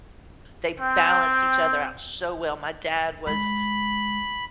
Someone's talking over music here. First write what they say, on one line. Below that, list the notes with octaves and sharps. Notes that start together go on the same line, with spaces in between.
They balanced each other out so well. My dad was
C4 G5
G#3 B5